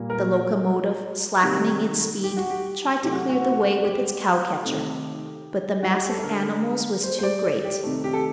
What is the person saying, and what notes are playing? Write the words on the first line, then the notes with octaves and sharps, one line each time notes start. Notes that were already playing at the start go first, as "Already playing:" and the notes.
The locomotive, slackening its speed, tried to clear the way with its cow-catcher; but the mass of animals was too great.
Already playing: A#2 G3 A#3
A#4
C3 D#3 G3 A#3 G4
G4
F#4
G4
C3 F#3 A3 G4
F#4
F#4
G4
C3 D#3 A3
F#4
G4
A4
D3 A3 A#4
C5
C5
D5
D5
G4
C3 D#3 A3
G4
A4